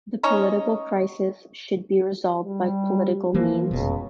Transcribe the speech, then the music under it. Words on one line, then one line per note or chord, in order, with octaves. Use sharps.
The political crisis should be resolved by political means.
C#4 D#4 C#5 D#5
G3
E3 F3 A#3
F1 C#2 B2